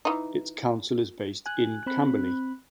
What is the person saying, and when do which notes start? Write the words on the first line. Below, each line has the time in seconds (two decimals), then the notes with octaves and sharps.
Its Council is based in Camberley.
0.05 E3 D#4
1.46 G#5 F#6
1.86 C4 B5 F#6